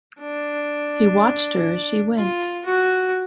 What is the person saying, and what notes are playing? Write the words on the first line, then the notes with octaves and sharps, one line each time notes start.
He watched her as she went.
D4
F4
F#4